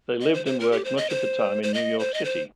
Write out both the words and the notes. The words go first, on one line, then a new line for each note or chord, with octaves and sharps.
They lived and worked much of the time in New York City.
D#5
C5
C5
A#4
G4
C5
D#5
C5
C5
D#5
C5
D#5
C5